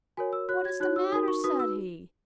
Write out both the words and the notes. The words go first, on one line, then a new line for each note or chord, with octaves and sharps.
"What is the matter?" said he.
F#4 A#4 C#5 G#5
E6
F#4 C#5 F#6
G#6
D#4 F#4 C#5 F#6
E6
D#4 F#4 A#4 D#6
C#6
D#4 F#4 B4 D#6
E6